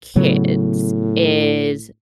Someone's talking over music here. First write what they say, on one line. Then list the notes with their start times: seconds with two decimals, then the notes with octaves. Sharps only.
Kids is
0.16 A2 C#3 F#3 B3